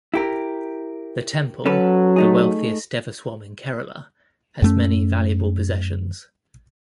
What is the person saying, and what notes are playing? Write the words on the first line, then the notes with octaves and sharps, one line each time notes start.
The temple, the wealthiest Devaswom in Kerala, has many valuable possessions.
E4 G4 A#4
F#3 C#4 A4 B4
A3 D#4 G#4
F#2 A3 C#4